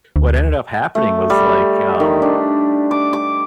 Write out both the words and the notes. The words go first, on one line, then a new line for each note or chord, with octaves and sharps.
what ended up happening was like, um,
D2
A3
G3
D#3
D4
D6
D6